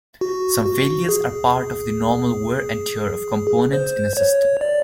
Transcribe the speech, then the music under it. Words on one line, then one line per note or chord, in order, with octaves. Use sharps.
Some failures are part of the normal wear-and-tear of components in a system.
F#4
F#4
G#4
C5
C#5
D5